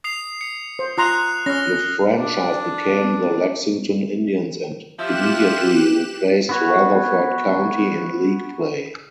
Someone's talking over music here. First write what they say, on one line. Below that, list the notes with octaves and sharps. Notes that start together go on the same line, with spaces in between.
The franchise became the Lexington Indians and immediately replaced Rutherford County in league play.
D#6 C7 F7
C#7
C5
F4 A#5 C6 D#6 F#6 F7
C#4 F6 A#6
D4
F3 F4 G4 E5 F#6 E7
B3 F#4 C#5